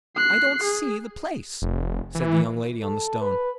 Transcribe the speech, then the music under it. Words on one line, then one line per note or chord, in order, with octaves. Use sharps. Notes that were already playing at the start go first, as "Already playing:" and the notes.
"I don't SEE the place," said the young lady on the stone.
F#6 C7
G#4
F1
E3
A4
B4